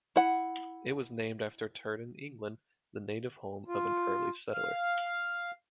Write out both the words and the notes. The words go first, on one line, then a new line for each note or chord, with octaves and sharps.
It was named after Turton, England, the native home of an early settler.
E4 F#5
F4
F5